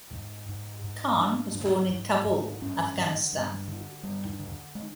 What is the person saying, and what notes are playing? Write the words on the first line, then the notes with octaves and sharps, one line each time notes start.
Khan was born in Kabul, Afghanistan.
G#2
G#2
G#2
G#2 D4
G#2
G#2
G#2
G2 C#4
D3
G2
D3
G2 G3
D3
G#3